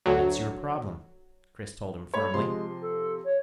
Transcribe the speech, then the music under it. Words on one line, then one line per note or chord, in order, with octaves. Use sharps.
"That's your problem," Chris told him firmly.
D2 F#3
A3 C#5 B5
C3 F3 G#3 C6
A4
C#5